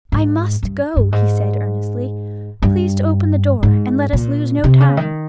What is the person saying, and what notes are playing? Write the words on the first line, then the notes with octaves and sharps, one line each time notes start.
"I must go," he said earnestly, "please to open the door, and let us lose no time."
G#2
G2
G2
G#2
G2
G#2
A#2
C3
C#3
D#3